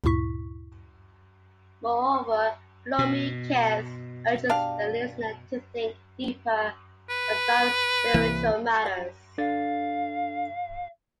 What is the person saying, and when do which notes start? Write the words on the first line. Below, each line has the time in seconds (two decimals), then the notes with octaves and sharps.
Moreover, "Blow Me a Kiss" urges the listener to think deeper about spiritual matters.
0.04 D2 G2 A#2 E4 C#6 B6
2.99 B2
4.49 D4 G4 F5
7.10 B4
8.14 C2 E3 A#3
9.38 D4 A4 F5 A6